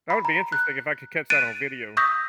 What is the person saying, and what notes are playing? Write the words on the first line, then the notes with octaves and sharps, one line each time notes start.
That would be interesting if I could catch that on video.
B5
A#5
F#6
F#6 A6 D7 D#7
C#6 D#6 E6 G6 A#6 B6